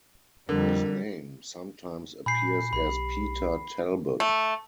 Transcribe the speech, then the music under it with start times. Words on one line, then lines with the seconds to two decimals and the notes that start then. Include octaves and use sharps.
His name sometimes appears as Peter Talbot.
0.49 F2 D3 G3 A#4
2.26 A#2 G#5 B5 G6 C7
2.73 B1 G4 B5
4.20 A3